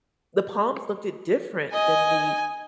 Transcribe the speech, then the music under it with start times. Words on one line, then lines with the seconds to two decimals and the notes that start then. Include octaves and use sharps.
the palms looked it different than the
1.74 D#5 G#5